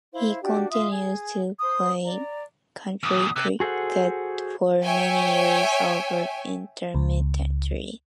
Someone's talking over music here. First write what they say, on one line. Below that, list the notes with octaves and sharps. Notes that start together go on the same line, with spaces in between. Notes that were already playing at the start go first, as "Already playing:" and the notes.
He continued to play county cricket for many years albeit intermittently.
E4 C5 F5
D4 F#4 G4
F4 E5 C6 D#6
G#4
C5 C6 D#6
D5 A#5
E2 A#2 D#6
C3 F#6
F#4 G#4 A4 C5 F#5
C#5 E5 G5 G#5
C#2